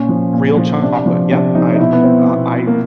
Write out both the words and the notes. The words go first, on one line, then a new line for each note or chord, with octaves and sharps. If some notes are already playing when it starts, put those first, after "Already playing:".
real chocolate. Yep. I I I
Already playing: A#2 C#4
F3
A#2
F3
C3 D4
F3
C3 D4
F3 D#4
D#4
B2 E4
B3
C4
B2
A#3